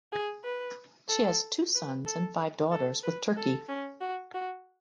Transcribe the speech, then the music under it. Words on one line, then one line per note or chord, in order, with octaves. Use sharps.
She has two sons and five daughters with Turki.
G#4
B4
A4
B4
A4
A4
B4
A4
C#4
F#4
F#4